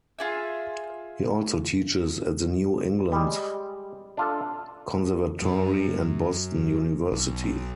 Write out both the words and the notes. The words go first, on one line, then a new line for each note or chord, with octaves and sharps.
He also teaches at the New England Conservatory and Boston University.
F4 G#4 E5
G3 G#3
D4 F4 A4
F#2
B1